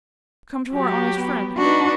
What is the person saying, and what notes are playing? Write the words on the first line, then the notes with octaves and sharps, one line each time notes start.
Come to our honest friend.'
F#3 G4
B3
D4 D#4 F#4 B4